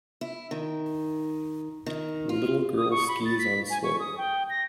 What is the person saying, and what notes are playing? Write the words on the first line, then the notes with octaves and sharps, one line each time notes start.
Little girl skis on slope.
E4
D#3
D#3
F4
D#6
C#6
B5
A6
B6
G#5
C#6
D#6
G5
A#6